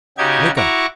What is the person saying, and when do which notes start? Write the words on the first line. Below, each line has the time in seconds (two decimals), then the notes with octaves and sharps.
Wake up!
0.18 C#3 D#4 F#4 G4 G#6
0.56 E4 F#4 A#5 C#6 D6